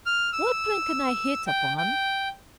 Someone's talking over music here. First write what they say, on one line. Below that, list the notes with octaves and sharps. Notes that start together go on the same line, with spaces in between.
What plan can I hit upon?
F6
E6
G5
G5